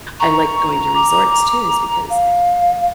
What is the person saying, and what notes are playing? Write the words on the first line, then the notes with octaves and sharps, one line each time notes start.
I like going to resorts, too, is because
A#5 C#6
D6
F5